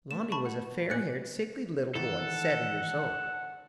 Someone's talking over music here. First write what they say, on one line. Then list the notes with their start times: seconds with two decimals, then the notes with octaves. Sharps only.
Lonnie was a fair-haired, sickly little boy, seven years old.
0.11 A3 B3 E7
0.32 A5 B5 C#6
0.45 F#5
0.90 A#2 G#4 D#5 F#6 C#7
1.95 D#3 E3 A4 F#5